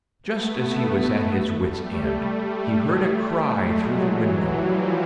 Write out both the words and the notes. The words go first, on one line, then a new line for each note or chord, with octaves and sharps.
Just as he was at his wit's end, he heard a cry through the window.
A3 B3
G3 A3
G3 A3
F#3 G#3
E3 F#3
F3 G3